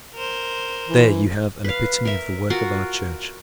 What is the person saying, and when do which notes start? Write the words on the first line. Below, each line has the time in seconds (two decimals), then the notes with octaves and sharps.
There you have an epitome of the work of our Church.
0.14 A#4 C5
0.88 E3
1.64 B4 F5
2.05 A#4 E5
2.50 F4 F#4 A#4